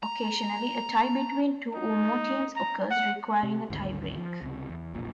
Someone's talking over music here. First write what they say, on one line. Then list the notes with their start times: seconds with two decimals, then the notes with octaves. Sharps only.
Occasionally, a tie between two or more teams occurs, requiring a tie-break.
0.03 A#5
1.74 D#4
2.56 A#5
2.90 F#5
3.43 C3
3.70 G#1 D2
4.17 F3
4.42 C#2 C3
4.69 E2
4.94 F1 B1 A#2